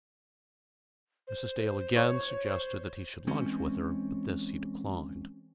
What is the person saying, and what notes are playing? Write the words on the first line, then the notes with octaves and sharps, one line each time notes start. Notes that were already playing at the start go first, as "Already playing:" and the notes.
Mrs. Dale again suggested that he should lunch with her, but this he declined.
C5
C#5
C5
E3 G#3 C4 C#4